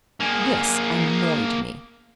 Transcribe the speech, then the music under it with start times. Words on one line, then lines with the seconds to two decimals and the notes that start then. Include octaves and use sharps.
This annoyed me.
0.20 A#3 G#4